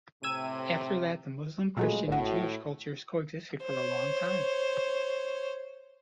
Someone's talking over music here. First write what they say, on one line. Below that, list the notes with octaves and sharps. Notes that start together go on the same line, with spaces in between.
After that, the Muslim, Christian and Jewish cultures coexisted for a long time.
A2 C3 E6 G#6 D#7
A#2 C#3 F3 F#3 G#3 A3
G#1 A2 F#4
C5 C#5